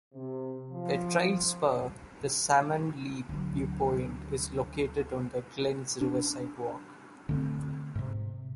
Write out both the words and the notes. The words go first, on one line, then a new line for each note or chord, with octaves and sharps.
A trail spur, the salmon leap viewpoint, is located on the glen's Riverside Walk.
C3
F3
D2 F#3
D4
D3 A3 C4
G#2 C3